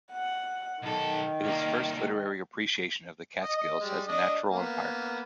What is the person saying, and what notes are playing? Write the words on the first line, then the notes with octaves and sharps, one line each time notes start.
It is the first literary appreciation of the Catskills as a natural environment.
F#5
B1 D#3 A4
C2 A#3
D#5
D#5
G3 G#3
D4 D#5
A#3 B3